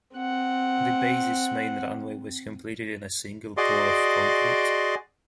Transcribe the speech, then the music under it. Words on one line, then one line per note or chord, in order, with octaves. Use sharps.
The base's main runway was completed in a single pour of concrete.
C4 F#5
F#4 G#4 D5 D#5 C6 D6